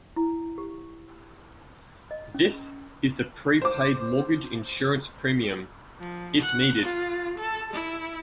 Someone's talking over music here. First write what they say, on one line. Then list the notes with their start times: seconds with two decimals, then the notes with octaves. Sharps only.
This is the prepaid mortgage insurance premium, if needed.
0.16 E4
0.58 G4
2.11 D#5
2.34 C#4
3.62 C5 D6
6.00 F3
6.40 F#5
6.82 F4
7.38 A4
7.73 E4